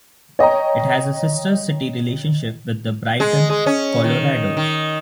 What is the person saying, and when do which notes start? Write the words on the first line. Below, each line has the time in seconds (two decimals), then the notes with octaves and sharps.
It has a sister city relationship with Brighton, Colorado.
0.39 C#5 D#5 G5 A#5
3.20 G#3
3.50 G#3
3.66 C#4
4.04 D#3
4.57 D#3